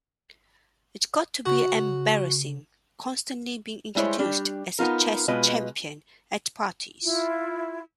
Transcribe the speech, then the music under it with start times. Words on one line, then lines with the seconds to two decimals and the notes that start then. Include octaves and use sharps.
It got to be embarrassing, constantly being introduced as a chess champion at parties.
1.46 C#3 F#4
3.95 G3 G#3 E4 C5 C#5
4.19 G3 D4 G4
4.79 B3 D#4 F4 A#4
5.28 B2 G#3 F4 B4 D#5
7.03 E4 F4